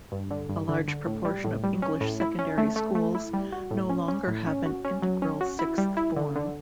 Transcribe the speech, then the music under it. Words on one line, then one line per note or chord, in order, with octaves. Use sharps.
A large proportion of English secondary schools no longer have an integral sixth form.
G2
D3
G2
D3
D3
A2
G3
A2
G3
C#4
A2
E4
C#4
A3
A3
A3
E4
G3
F#4
A2
C#4
C#4
A2
C#4
F#4
C#4
F#3
C#4
F#4
E4
G3
E4
D3
D3